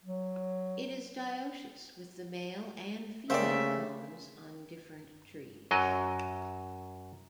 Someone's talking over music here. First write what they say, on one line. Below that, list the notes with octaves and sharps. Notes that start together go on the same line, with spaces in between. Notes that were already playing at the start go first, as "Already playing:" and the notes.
It is dioecious, with the male and female cones on different trees.
F#3
C#3 A3 A#3 G4 C5 D5 E5
F#2 F#3 D#5